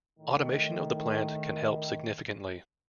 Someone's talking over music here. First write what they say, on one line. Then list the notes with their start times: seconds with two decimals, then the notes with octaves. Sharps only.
Automation of the plant can help significantly.
0.19 A2 D#3